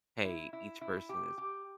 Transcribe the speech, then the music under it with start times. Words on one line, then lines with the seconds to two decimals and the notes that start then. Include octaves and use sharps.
hey, each person is
0.25 E4
0.53 E4
0.81 E4
1.09 G4
1.38 G4